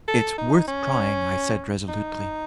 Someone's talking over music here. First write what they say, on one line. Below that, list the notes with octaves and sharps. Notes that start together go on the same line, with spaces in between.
"It's worth trying!" I said resolutely.
A4
D#4
C#4
D#4